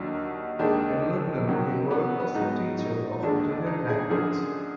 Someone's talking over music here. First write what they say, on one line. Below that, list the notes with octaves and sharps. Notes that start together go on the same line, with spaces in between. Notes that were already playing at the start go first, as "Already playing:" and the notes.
In London he worked as a teacher of Italian language.
Already playing: D#2 D3 F#3
D#2 D#3 G#3 D4
F#2 D#3 F#3
B3
B3
G#2 F#3 D#4
D#4
D#2 D3 G#3 D4
D#4
G#4
F#2 D3 F3 G#4